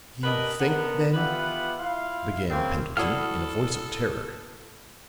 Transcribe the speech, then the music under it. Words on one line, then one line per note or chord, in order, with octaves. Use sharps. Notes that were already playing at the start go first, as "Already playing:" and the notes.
"You think then--" began Pendleton in a voice of terror.
D4 G4 A#4 B4 D#5
D3 B3 A#4
B3 F4 G4 B4 E5 F#5
E4 F4 F5
C#3 E3 A#3 C4
E4 F#4 A4 D5 F#5 B5 D#6 F6